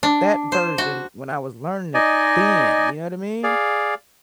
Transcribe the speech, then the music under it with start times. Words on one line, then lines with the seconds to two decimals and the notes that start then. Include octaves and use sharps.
that version when I was learning it then, you know what I mean,
0.03 D4
0.52 C5
0.78 F#4
1.94 D#4 D5 D#5 G#5
3.44 G#4 D5 F5